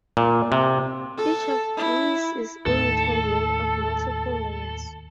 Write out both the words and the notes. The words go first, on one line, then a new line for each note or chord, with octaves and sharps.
Each of these is in turn made of multiple layers.
A#2
C3
A4
E4
D#2 A2 A4